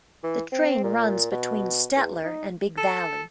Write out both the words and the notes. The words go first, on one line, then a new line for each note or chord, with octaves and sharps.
The train runs between Stettler and Big Valley.
E3
C4
A#2
B2
E2
D#4
A4